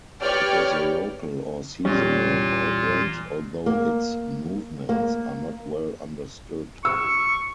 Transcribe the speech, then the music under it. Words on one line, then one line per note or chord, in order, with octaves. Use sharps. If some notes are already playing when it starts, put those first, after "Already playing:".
It is a local or seasonal migrant, although its movements are not well understood.
G4 B4 C#5 D5 G5 F6
E2 A#2 G3 C#4 F4
A#3
A#3
C#6 E6